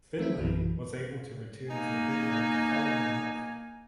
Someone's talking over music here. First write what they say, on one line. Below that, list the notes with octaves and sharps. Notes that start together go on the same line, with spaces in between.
Finlay was able to return to Henley the following month.
D#3 A3 C4 E4
A#1 F#2 E3
A#3 D#4 G#5